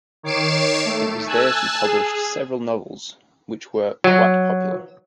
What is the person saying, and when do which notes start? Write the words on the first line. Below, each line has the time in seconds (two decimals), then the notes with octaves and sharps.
It was there she published several novels which were quite popular.
0.23 D#3 C#5 D6 C7 D7 E7
0.85 A3
1.26 G#5 A5 E6 F#6 G#6
1.83 G#4
4.04 F#3